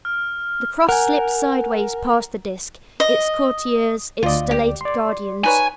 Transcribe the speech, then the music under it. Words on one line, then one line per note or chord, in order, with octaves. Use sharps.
The Cross slipped sidewise past the Disk, its courtiers, its stellated guardians.
F6
A#4 F#5 G#5
D#5
D2 F4 D5 D#5
G4
D5 C6
D#4 B4 C#5 G#5